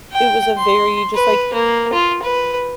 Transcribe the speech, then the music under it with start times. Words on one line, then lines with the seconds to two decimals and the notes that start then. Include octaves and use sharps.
It was a very just, like,
0.12 G5
0.57 C6
1.14 B4
1.53 A#3
1.93 F4
2.23 B4